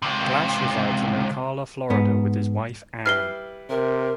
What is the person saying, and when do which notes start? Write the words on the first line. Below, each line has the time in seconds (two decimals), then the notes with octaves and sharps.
Glaus resides in Ocala, Florida, with his wife, Ann.
0.02 C#2 C3
1.90 G#2 B3
3.06 G3 E4 B4 F6 C7 G7
3.70 C3 A#4